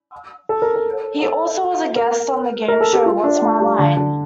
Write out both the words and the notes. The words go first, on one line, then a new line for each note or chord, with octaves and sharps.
He also was a guest on the game show What's My Line?
A4
A#4
A4
A4
A#4
A#4
A4
G4
F4
D4
A3
G3
D3
D3